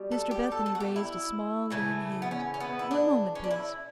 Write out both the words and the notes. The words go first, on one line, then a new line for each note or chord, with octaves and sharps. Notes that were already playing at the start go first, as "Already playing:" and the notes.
Mr Bethany raised a small lean hand: 'One moment, please.
Already playing: B2 G3
A4
G4
A4
A4
F#4
G4
E4
C#3 E3 A3
B3
C#4
C#4
B3
E4
D4
C#4
D4
E4